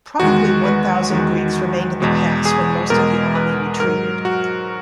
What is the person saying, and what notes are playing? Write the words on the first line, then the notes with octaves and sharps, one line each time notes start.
Probably one thousand Greeks remained in the pass when most of the army retreated.
E2 D#3 G#3 F#4
B4
E2 D#3 G#3
E2 B2 G#3
G#4
E2 B2 G#3 A#4
B4
G#2 F#3 A#4
F#4